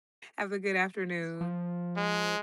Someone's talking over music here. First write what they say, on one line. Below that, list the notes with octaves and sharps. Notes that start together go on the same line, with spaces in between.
Have a good afternoon.
F3
G#3